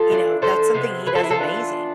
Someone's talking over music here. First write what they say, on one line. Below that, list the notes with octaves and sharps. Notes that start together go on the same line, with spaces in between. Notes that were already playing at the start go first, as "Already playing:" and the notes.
you know, that's something he does amazing.
Already playing: F4 A4
E3 G#3 D4
A4 C5
C3 F3 G#3 B3
G#4 B4
F4 A4
E4 G#4
F4 A4
E3 B3 D4